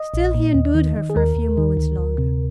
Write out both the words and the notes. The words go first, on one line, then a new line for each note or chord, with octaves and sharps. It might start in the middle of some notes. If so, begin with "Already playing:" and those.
Still he endured her for a few moments longer.
Already playing: D#5
A#1
A#2
D#2
D#3
D#3
G#4
D#2 A#4
D#2
D#3
D2
D2
C3